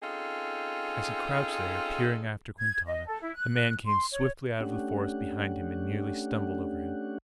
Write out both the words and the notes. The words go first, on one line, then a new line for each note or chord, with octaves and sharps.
As he crouched there, peering after Quintana, a man came swiftly out of the forest behind him and nearly stumbled over him.
C4 C#4 D#4 F4 G#4 A4
G#6
D#5
A4
E4
F#6
C6
C#5
A3 C#4 D4 G4 F#5